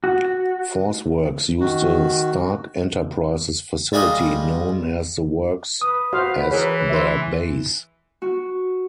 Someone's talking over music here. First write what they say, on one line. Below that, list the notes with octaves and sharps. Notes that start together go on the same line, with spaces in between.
Force Works used a Stark Enterprises facility known as The Works as their base.
F#4
D#3 F#4
G3 G#3 F4 A#4 D#6
B4 D#6
F#4 C5 F5
E3 G#4 A#4 C#5
E5 C6
F#4